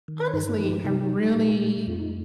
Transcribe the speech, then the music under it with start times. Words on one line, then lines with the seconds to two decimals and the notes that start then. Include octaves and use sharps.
honestly, I really
0.08 D#3
0.33 G2 D#4
0.59 F3 D#4 G4
0.84 C3 D#4 G4
1.10 G3
1.36 A#2
1.62 A3
1.87 F2 F4
1.99 D#4